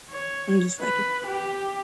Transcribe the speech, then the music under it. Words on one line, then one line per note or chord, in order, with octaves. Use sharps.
I'm just like it
C#5
B4
G4